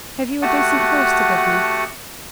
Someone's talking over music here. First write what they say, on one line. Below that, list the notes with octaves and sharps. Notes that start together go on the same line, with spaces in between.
'Have you a decent horse to give me?
A3 F#4 G4 F#5 A5 D#6